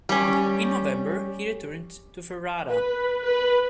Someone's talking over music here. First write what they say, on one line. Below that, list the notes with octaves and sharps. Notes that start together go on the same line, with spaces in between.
In November he returned to Ferrara.
G3 C#4
B4
B4